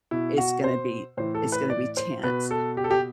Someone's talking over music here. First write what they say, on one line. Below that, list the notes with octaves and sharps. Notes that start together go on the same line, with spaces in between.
it's gonna be it's gonna be tense,
B2 E4
F#4
C5
A2 E3 C5
A4
B4
D5
C5
B2 B4
A4
G4
A4
G4